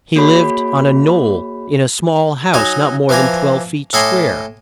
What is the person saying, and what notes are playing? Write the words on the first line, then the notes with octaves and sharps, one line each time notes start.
He lived on a knoll, in a small house not more than twelve feet square.
A#3 F#4 G#4 C#5 B5
F#3 D#4 G#5 A#5
E3 F3 D5 G#5 A#5
A2 A4 D#5 G#5 C6 D6